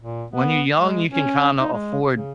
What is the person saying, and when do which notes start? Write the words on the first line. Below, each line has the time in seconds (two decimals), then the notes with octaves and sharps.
When you're young, you can kinda afford
0.01 A#2
0.30 B3
0.77 G#3
1.11 C#4
1.60 D#4
1.72 G#3
2.15 C#3